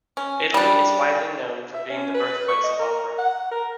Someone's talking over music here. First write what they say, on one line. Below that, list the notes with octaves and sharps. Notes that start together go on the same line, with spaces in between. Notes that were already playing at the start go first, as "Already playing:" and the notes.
Italy is widely known for being the birthplace of opera.
C#4
G3 D4
E5
C#4
B4
C#6
D#5
A#4
F#5
A#4